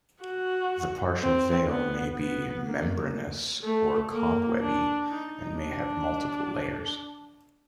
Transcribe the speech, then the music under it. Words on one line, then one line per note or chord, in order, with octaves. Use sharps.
The partial veil may be membranous or cobwebby, and may have multiple layers.
F#4
C4
B3
B3
A#3
A3
A#3
D4
D#4
D4